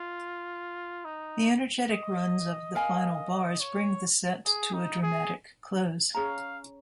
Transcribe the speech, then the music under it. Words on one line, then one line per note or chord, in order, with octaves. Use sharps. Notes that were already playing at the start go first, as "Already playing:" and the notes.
The energetic runs of the final bars bring the set to a dramatic close.
Already playing: F4 D#5
D#4
D#5
A#4 F5 G#5
C#5
G#4
D#4
G#4
C#4 G#4 C#5 F5 A#5